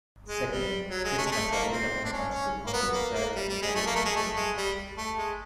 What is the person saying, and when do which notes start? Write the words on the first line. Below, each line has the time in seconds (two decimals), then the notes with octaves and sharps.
Second, states can submit a compact to Congress prior to entering into the compact.
0.29 G#3
0.50 G3
0.90 F#3
1.04 G#3
1.18 A3
1.26 G#3
1.32 A3
1.51 A#3
1.72 C4
2.05 D4
2.13 C#4
2.32 C#4
2.67 A#3
2.73 B3
2.94 A#3
3.14 A#3
3.35 G3
3.49 G3
3.62 G#3
3.75 A3
3.86 A#3
3.96 A3
4.05 G#3
4.16 A3
4.36 G#3
4.57 G3
4.97 A3
5.18 G#3